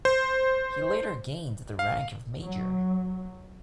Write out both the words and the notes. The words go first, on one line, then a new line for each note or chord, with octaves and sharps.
He later gained the rank of Major.
C5
F5
F#3